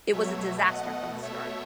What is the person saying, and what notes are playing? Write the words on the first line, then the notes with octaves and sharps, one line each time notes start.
It was a disaster from the start.
B2 F#3 A3 C#5 E5
B2 A3 D#5 F#5
B2 A3 C#5 E5